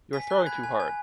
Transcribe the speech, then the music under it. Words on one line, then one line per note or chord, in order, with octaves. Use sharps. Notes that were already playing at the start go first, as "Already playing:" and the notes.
You are throwing too hard!
G#5 B6
F#6
B5 G#6
G#5
G#5